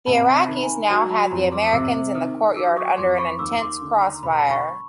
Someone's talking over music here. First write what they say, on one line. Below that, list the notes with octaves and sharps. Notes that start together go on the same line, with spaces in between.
The Iraqis now had the Americans in the courtyard under an intense crossfire.
C3 A5 B5
A#5
A5 B5
D#3
B5
G#5 A#5
F#3 G5 A5
A#5
A5 B5
F2 A#5 C6
C6 D6
D#6
C3 D6 E6
D#3 D#6 F6
F#3 D6 E6
C#6 D#6
F2 C6 D6
B5 C#6
D#2 D6 E6
C6 D6
D3
A#5 C6
E1 B5
A#5
A5 B5
B5 C#6